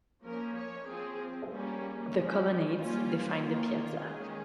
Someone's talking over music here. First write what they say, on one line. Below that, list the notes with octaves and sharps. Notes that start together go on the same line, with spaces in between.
The colonnades define the piazza.
F3 A#3 C#4 A#4
C#5
F3 C4 G#4
G3 A#3 C#4
F3 G#3 C#4
G3 A#3 C#4 F4
D#3 A#3 C#4 F4
D#3 G#3 C#4 G#4